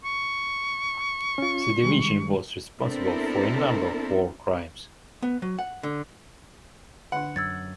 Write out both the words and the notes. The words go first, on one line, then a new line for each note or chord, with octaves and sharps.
The division was responsible for a number of war crimes.
C#6
C#4 F4
D#3 G3 G#3
B3 C4 D4 E4 A4 A#4
B3
F#3
F#5
D3
D3 D4 F#5
F#2 E6 G#6 A6